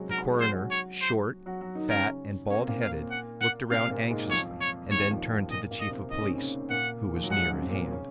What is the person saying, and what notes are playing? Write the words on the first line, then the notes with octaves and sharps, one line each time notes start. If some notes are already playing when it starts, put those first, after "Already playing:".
The coroner, short, fat and bald-headed, looked around anxiously and then turned to the chief of police, who was near at hand.
Already playing: C3 F#3 G#3 C4 F#4 G#4
F#3 F#4 A#4
G#3 G#4
F#3 F#4 C5
F#3 F#4
C#5
C5
F#3 F#4
F#3 F#4
D#3 D#4
C#3 C#4 A#4
A#3 C#5
C4
A#2 A#3
F5
F#5
F#5
C3 C4 F5
A#2 A#3
G#2 G#3
F#3
F2 F3 C#5
C#5
D#2 D#3 C#5
F2 F3
A#2 A#3 D#5
A#2 A#3
D#5
C3 C4
D#4 D#5
C#4
C4
C#3 C#4
A#2 A#3 F#5
D#3
F3
F#3
G#2 G#3 F#5
F#2 F#3
C4
A#2 A#3
C#3 C#4